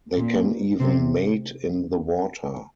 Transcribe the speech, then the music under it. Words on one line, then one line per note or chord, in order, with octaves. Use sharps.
They can even mate in the water.
A#2 A#3
C3 C4